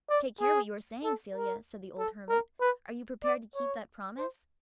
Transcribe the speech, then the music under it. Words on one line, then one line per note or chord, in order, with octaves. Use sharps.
"Take care what you are saying, Celia," said the old hermit; "are you prepared to keep that promise?"
D5
G#4
A4
A#4
A4
A#4
B4
D5
C#5
C5